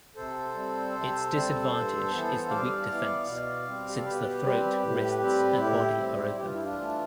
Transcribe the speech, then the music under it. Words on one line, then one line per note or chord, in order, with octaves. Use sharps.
Its disadvantage is the weak defense, since the throat, wrists and body are open.
C3 A4 C5
G3 C4
C3
G3 C4
G2
E3 B3
G2 D5 F5
E3 B3
B2
G3 C4
G4
A4
B2 G4 B4
G3 C4
A2
G3 C4
A2 E4 G4
G3 C4
G2 G4
F4
E4
D4 F4
E3 A3